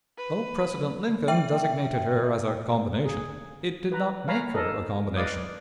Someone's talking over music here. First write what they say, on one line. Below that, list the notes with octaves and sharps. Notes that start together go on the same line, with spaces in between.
Though President Lincoln designated her as a "combination," it did not make her a combination.
B4
E5 G5
G#4
B4 A#5
C#5 F5 G#5 A#5 B5
D#4 A4 A#4 D#5
B4 D5 D#5 F5 D6 D#6